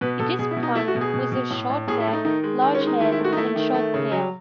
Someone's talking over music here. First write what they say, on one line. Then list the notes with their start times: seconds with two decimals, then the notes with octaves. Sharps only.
It is plump, with a short neck, large head, and short tail.
0.01 B2 B4
0.19 B2 A4
0.39 B2 G#4
0.51 E4
0.57 B2
0.63 D#4
0.75 A3 E4
0.88 F#4
0.95 B2
1.01 G#4
1.14 B2
1.32 B2
1.51 A2
1.70 A2
1.88 A2 G#4
2.00 E4
2.07 A3
2.13 D#4
2.25 D#3 D#4
2.44 G#3
2.62 D#3 D#4
2.75 C#4
2.81 G#3
2.87 D#4
3.01 D#3 E4
3.12 E4
3.19 A3
3.24 F#4
3.33 D#4
3.37 A3 E4
3.56 D#3
3.74 A3
3.94 C#3
4.12 F#3